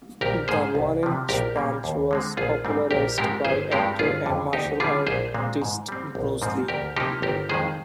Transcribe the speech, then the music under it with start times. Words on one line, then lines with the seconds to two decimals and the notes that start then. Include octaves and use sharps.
The one-inch punch was popularised by actor and martial artist Bruce Lee.
0.21 A#1 G4 A#4
0.48 G#2 F3 G#4 C5
0.75 C2
1.03 C3 F3
1.29 A#1 G4 A#4
1.56 A#2 G3 A#3
1.84 D#2
2.11 D3 G#3 C4
2.37 A#1 F4 G#4
2.65 G#2 G3 C4
2.91 A#1 G4 A#4
3.18 G#2 F3 G#3 C4 G4 A#4
3.45 G1 G#4 C5
3.72 G2 F3 G#3 C4 G4 A#4
3.99 G1 F4 G#4
4.26 F2 D3
4.53 D2 D#4 G4
4.80 D3 G3 F4 G#4
5.07 A#1 G#4 C5
5.34 A#2 G#3 C4
5.62 G#2
5.89 G3 C4
6.15 A#1
6.42 G#2 F3 C4
6.68 D2 G4 A#4
6.97 C3 F3 A#3 D#4 G4
7.22 G1 G4 A#4
7.49 F2 D#3 G#3 G#4 C5